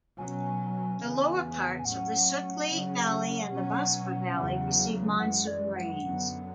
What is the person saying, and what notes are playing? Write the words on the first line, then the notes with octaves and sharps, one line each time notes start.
The lower parts of the Sutlej Valley and the Baspa Valley receive monsoon rains.
B2 F#3 C#4 G#5
E2 C#3 E3 B3
G#5
A2 F#3 C#4 F#5
C#3 F#3 C#4
B2 F#3 C#4
E2 C#3 F#3
F#2 E3 G#3 F#5
D5
F#5
F#2 D3 F#3 B3